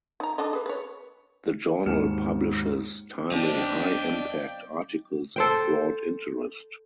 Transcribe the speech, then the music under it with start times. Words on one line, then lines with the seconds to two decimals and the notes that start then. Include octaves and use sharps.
The journal publishes timely high-impact articles of broad interest.
0.20 D#4 A#5
0.38 D4 A4 D#5
0.53 G#4 B4
0.66 B4 C#5
1.86 G#1 D#2 F6 C#7 E7
3.32 F#3 B3 C4 D4 D5 D#5 F5 G5
5.36 A4 C5 G5